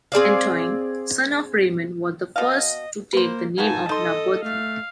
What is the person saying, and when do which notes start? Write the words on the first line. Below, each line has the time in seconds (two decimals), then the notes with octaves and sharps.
Antoine, son of Raymond, was the first to take the name La Boétie.
0.12 C4 G#4 D5 F5
2.36 B2 D#5 F5
3.13 A#3 B4 C5
3.58 A#3 B3 D#4 F#4 G#5 A5
3.89 D#4 A4 D#5 C6
4.44 A3 F5